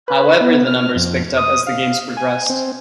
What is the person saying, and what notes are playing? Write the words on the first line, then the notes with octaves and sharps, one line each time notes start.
However the numbers picked up as the Games progressed.
B4
B3
F6
F2
D#6
F5
G#5
C4